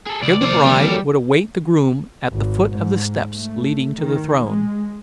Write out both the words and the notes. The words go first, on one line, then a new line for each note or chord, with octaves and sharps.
Here the bride would await the groom at the foot of the steps leading to the throne.
G#4 A4
C#2 D5
D#2 C3 F3 A#3 C5
D3 F3 G3 C4
F#4 A4 C#5
G#1
G#2
A3
D#3
G#3